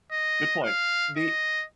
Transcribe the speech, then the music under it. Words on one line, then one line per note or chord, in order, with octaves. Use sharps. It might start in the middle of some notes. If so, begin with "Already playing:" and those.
good point. The
D#5
F5
D#5